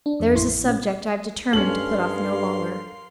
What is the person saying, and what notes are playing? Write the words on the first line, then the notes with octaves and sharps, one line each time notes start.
There is a subject I have determined to put off no longer.
D4
F2 A4
A1 E4 C6 C#6
A1
A#2 C#4
G2 C#4 A4 A#4 F5 C6 F6 F#7